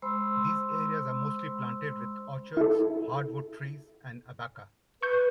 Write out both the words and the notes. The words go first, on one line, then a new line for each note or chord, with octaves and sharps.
These areas are mostly planted with orchards, hard wood trees and abaca.
G#3 C5 B5 C6 E6
E4 A4
B4 C#6 G6